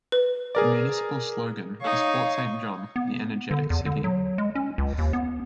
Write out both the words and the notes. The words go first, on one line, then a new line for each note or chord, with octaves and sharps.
The municipal slogan is "Fort Saint John: The Energetic City".
B4
G#4 A#4 D5
D#4 C#5 F5 C#6
B3
D3
E2
D3
F#3
G#3
C#4
C#2
D#2
B3